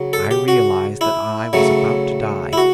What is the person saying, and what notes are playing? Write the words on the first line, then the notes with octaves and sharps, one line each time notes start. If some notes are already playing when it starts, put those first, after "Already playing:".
I realized that I was about to die . . .
Already playing: C#3 F#3
A4
G4
F#4
E4
C#3 F#3 A3
E4
F#4